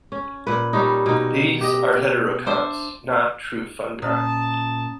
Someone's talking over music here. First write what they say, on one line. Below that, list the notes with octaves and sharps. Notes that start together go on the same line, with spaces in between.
These are heterokonts, not true fungi.
C#4
A#2 B4
G3 C#4 D#4
B2 D#4
G4 D#5
D4 C5 E5
A#2 C#4 A5 A#5 D#6